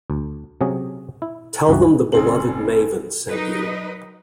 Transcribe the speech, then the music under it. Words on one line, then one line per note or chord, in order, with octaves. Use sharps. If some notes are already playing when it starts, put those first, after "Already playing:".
Tell them the beloved "Maven" sent you.
D2
C3 F#3 C#4 G#4
E4
C#2 G2 E3 F#4
F#1 C#3 C4 F#7
F#3 D#4 A#4 B4 D#5